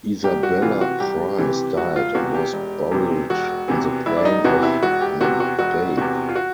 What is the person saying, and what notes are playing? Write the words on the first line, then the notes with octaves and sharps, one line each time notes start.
Isabella Price died and was buried on the plain of Mababe.
C2 G4
F#4
C3 E3 F4
F#4
C2 G4
C3 E3
E1 F#4
F4
E2 C3 F#4
G4
E1
E2 C3
E1 F#4
E2 C3 E3
E1 E4
D4
D#4
E2 C3 E3 F#4
E4
E1 F#4
G4
E2 C3 F#4
F#4
E1 F#4
E2 C3 F#4
F4
F#4